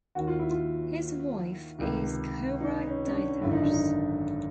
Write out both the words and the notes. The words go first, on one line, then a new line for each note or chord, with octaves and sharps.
His wife is Cora Dithers.
D#2 D#3 F#4
F4
E4
F4
C#2 C3 D#3
D#4
C#4
C#4
D4
G#1 F#2 D3 E4
D#4
D4
D#4